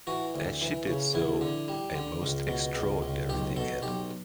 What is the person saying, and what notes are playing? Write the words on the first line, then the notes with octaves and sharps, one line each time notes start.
As she did so, a most extraordinary thing happened.
E3 F#4
D2
E3
C#3
E2 E4
D3
G3
D3
C#2
B2
C#2
C#2
B1 G4
B2 A4
B1 G4